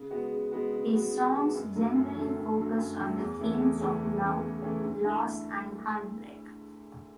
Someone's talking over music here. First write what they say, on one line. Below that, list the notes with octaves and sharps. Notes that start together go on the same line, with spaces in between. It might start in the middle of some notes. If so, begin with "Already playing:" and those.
His songs generally focus on the themes of love, loss and heartbreak.
Already playing: C#3
G#3 B3 F#4
C#3
G#3 B3 F#4
C#3
G#3 B3 F#4
C#3
G#3 B3 F#4
F#2
D3 F#3 A3
F#2
D3 F#3 A3
F#2
D3 F#3 A3
F#2
D3 F#3 A3
E2
C#3 E3 A3 C#4
E2
C#3 E3 A3 C#4
E2
C#3 E3 A3 C#4
E2
C#3 E3 A3 C#4
D2
D3 A3 E4